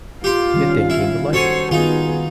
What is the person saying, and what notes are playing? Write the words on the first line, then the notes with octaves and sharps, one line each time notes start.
It then came to life.
F4 G4 F5 C6
D#3 G3 C#4
E4
F#4 A4 C5 C#5 G#5
D#3 B3 D#4 F4 G#4